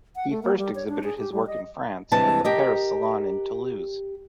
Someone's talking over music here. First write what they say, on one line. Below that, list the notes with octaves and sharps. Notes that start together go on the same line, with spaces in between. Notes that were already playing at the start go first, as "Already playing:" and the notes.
He first exhibited his work in France at the Paris Salon and in Toulouse.
F#5
A3
A#3
G3
C#5
D4
G#4
G4
G3
D#5
G2 C3 E3 G#3 A5
G4 A#4 D#5